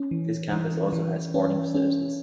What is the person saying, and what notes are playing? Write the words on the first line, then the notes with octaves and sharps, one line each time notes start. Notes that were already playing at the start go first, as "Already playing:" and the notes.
This campus also has sporting facilities.
Already playing: C#4
E3
E3
E3
C#4
C#4